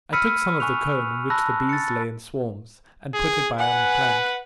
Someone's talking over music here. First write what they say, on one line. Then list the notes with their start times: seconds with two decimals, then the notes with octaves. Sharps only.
I took some of the comb, in which the bees lay in swarms, and put it by on the plank.
0.13 B5 E6 F6 B6 C#7 D#7
0.60 G#5 C#6 F#6 F7
1.30 A5 B5 E6 F#6 A#6
1.69 A6 C#7
3.14 G#4
3.58 B4 F#5 G#5